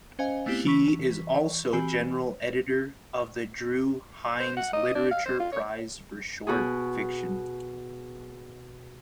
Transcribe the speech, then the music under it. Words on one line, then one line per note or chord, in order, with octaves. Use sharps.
He is also general editor of the Drue Heinz Literature Prize for short fiction.
C#4 C5 D#5 F5 G#5
A3 B3 C4 E4 G4
E3 C#6 B6
E3 C4 F#4 G4 G#5 B5
C5
F#5
D#5
D4
F5
C5
F4
C#5
B2 F#4 G#4